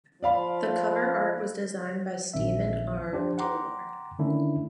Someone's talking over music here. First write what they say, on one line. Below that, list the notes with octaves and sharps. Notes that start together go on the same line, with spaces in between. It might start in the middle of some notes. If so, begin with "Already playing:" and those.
The cover art was designed by Steven R. Gilmore.
F3 D5 F5 B5
A#1 D#3 C4 E5
F3 D4 G4 C5
F#5 G5 A#5 C6 D6
D3 D#3 A3 C#4 D4 E4